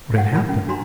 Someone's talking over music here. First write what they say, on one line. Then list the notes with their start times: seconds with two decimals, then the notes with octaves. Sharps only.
What had happened?
0.16 F5 F#5
0.32 F4 A#4 B5
0.49 C#4
0.68 D4 F#4 A#5 C6